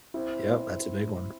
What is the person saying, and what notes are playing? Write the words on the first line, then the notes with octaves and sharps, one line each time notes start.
Yep, that's a big one.
C4 E4